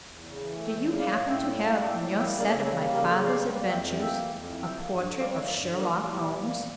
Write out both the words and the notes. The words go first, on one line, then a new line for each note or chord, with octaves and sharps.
"Do you happen to have in your set of my father's adventures a portrait of Sherlock Holmes?"
E2
C#3
E3
A3
E2 E5 G5
C#3
A#3 D5 F5
A2 C#5 E5
A2 E5 G5
G3
A#3
A2
A2 E5 G5
G3
A#3 E5 G5
C#3
A#4 D5
C#3 A4 C#5
G3 A4 C#5
A#3
C#3 G4 A#4
C#3 F4 A4
G3 D5 F5
A#3
F2
F2 E5 G5
E3
A#3 E5 G5
F2
F2
E3
G3 E5 G5
A#3
G2
D3
G3 D5 F5
A#3 C#5 E5
G2 A#4 D5
D3
A#3 G4 A#4
A#2
A#2 E4 G4
G3
A#3
A#2